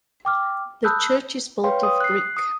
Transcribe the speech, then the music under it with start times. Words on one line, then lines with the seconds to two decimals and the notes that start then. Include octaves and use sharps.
The church is built of brick.
0.25 G5 D6 F6
0.84 A5 B5 D#6 E6 F#6 G6
1.64 B4 C#5 F5 G5 C6
1.83 D#6
2.00 F#6 C7
2.37 D#6